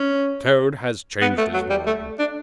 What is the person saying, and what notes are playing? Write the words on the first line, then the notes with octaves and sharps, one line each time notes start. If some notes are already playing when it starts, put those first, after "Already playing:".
Toad has changed his mind.
Already playing: C#4
B3
A3
F#3
G3
A3
D4